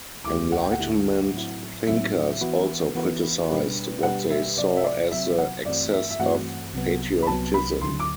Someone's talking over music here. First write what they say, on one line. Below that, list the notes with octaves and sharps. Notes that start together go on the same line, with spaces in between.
Enlightenment thinkers also criticized what they saw as the excess of patriotism.
D2 D3 A3 E4 G4 D6
F#5
G5
F#5
D2 D3 A3 E4 G4
A2 F#3 C4 E4
A2 F#3 C4 E4 E5
E3 B3 F#4 B4
E3 B3 F#4 B4
B2 G3 D4 G4 B4
B2 G3 D4 G4 B4 F#5
E5
C3 F#3 C4 D5
E5
D5
C3 F#3 C4 E5
F#5
G2 E3 A3 C4 F#4 D5
E5
E5
G2 E3 A3 C4 F#4 F#5
C2 C3 F#3 B3
B5
C2 C3 F#3 B3 A5
B5
D2 D3 F#3 C6
D6